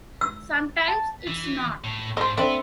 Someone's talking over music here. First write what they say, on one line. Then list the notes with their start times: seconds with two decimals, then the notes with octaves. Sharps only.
Sometimes it's not.
0.21 E6
0.88 A5
1.27 E3
1.84 A2
2.17 G#2 D4 C5 D#5
2.38 B3 C4 D4 E5 B5